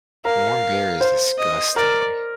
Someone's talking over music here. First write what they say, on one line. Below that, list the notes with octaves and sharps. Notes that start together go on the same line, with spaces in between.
Warm beer is disgusting.
A#4 F5
C5
D#5
A#4 D5